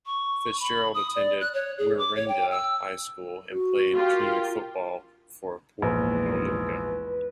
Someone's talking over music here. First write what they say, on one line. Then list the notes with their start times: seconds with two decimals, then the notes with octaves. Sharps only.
Fitzgerald attended Wirreanda High School and played junior football for Port Noarlunga.
0.06 C#6
0.60 B5
0.94 D#6
1.16 D5
1.41 F#6
1.54 C#5
1.78 G#4
1.98 D6
2.15 C#5
2.28 G5
2.51 E6
3.50 F#4
3.94 F4 G4 A#4
5.82 A#1 E2 G#2 B4